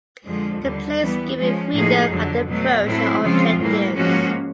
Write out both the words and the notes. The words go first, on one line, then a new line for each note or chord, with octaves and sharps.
The player is given freedom how they approach their objectives.
F2 D3 F3 G#3
D#2 D3 G3
E3 G3 B3
F3 G#3 C#4
A2 F3 A#3 D#4 G#4
F2 D3 F#3
B2 F#3 A3
A2 F#3 A3 C4 E4
C#3 F3 G#3 C4 F4
A2 E3 G3 A#3
G#2 F3 A#3 C#4 F#4